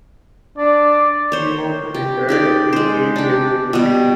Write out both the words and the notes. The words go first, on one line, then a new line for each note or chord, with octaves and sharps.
He was interred in Cave Hill Cemetery.
D4 D5
C5 C#5
G4
D#4 G4 D5
G#3 C5
D4 G4
B2 G3